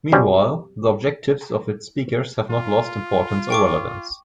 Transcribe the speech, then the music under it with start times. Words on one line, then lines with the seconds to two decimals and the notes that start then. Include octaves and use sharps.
Meanwhile, the objectives of its speakers have not lost importance or relevance.
0.12 F#2 B2 G3 C4 C#4
2.50 F4
3.50 G5 C#6 D6